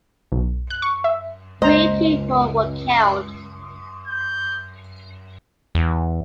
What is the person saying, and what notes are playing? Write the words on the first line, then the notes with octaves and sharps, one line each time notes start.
Three people were killed.
B1
F#6
C#6
E5
C#2 G#3 A#3 C5 D#5 A#5
G6
E2